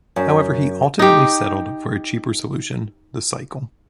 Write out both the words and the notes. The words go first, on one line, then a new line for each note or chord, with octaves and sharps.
However, he ultimately settled for a cheaper solution, the cycle.
F#2
D#4 G4